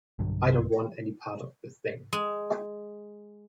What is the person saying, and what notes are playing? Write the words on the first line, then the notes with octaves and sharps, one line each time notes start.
I don't want any part of this thing.
B1 G2 D3 F#3
G#3